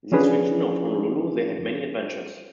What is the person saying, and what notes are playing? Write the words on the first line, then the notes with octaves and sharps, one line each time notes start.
In this region of Honolulu, they had many adventures.
F3 C#4 D4 G#4 B4